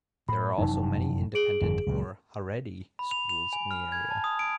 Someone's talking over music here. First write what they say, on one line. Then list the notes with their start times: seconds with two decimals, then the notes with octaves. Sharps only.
There are also many independent or Haredi schools in the area.
0.29 A2 B5
0.58 F1 F#2 E3 D#4 A5
1.35 G#4 D7 F#7
1.61 G1 F2 D#3
1.87 C#2 A#2 F#3
2.99 B5
3.11 F7
3.29 F7
3.53 G#5
3.71 F6
3.92 G#6
4.10 A5
4.24 D#6
4.39 D7